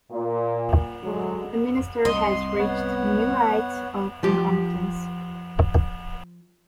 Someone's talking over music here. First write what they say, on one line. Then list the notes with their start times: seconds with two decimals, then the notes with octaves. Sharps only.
The Minister has reached new heights of incompetence.
0.11 A#2
1.03 D3 F#3 G#3
2.05 C2 D#5 C6
2.59 B3 C#5 F#5
4.23 F3 G4